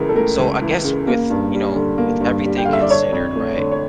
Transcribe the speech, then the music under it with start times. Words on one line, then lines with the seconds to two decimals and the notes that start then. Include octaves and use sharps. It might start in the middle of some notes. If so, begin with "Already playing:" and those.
So, I guess with, you know, with everything considered, right?
Already playing: C#2 C#3 E3 A#4
0.09 A4
0.15 A3 A#4
0.39 C#2
0.62 E3
0.84 C#3
1.07 A#3
1.30 G2
1.53 G3
1.76 D3
1.98 A#3
2.21 G2
2.44 G3
2.57 G5
2.65 D3 F5
2.73 E5
2.81 D5
2.90 D4 C#5
3.12 F2
3.36 A3
3.57 D3
3.71 C#5